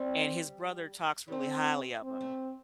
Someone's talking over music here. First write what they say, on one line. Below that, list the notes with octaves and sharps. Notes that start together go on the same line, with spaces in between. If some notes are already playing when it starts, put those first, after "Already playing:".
and his brother talks really highly of him,
Already playing: G3 C4
G3
A3 C4
C4
A3